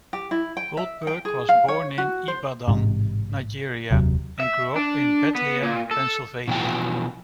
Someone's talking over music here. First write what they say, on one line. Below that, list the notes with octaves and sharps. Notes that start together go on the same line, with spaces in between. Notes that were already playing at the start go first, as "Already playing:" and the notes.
Goldberg was born in Ibadan, Nigeria and grew up in Bethlehem, Pennsylvania.
G4
E4
G5
E5
G5
G#4
F5
C#5
F#4
C5
A1 G#2 C3
F1 D#2 C3 F#3
E5
D4
B3
A#2
A4
B2 E3 F3 G5